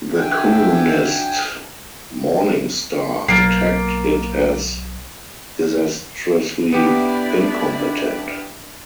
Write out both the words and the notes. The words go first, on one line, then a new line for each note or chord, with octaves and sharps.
The Communist "Morning Star" attacked it as "disastrously incompetent".
D4 F#4 E5 G5 G#5
B1 A#3 A6 C7 D7
B3 D4 E4 G4 D5